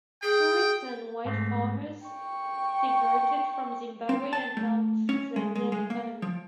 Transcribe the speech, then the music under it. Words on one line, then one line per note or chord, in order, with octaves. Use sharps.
Tourists and white farmers diverted from Zimbabwe and helped Zambian economy.
G#4 G5
G#2 A3 C4
G5 C#6
C4
A5
A3
C#4
G#3
G#3
G#3
A#3
F3